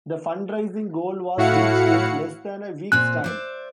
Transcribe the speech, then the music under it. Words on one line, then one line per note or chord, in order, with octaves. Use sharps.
The fundraising goal was reached in less than a week's time.
A2 E4 F#4 F5 F#5 C#7
A#2 C4 G#5 F#6
C5 D5 E5